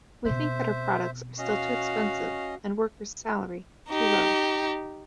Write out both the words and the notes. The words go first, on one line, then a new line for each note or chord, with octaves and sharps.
We think that our products are still too expensive and worker's salary too low.
B2 C4 C5 E5
C#4 F#4 D#5 F5
D#4 G4